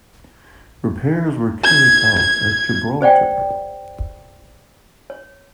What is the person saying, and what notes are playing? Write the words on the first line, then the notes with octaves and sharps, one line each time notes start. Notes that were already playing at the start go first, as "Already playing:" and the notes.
Repairs were carried out at Gibraltar.
G#6
G#6
G#4 C5 D5 F#5 G5
C#5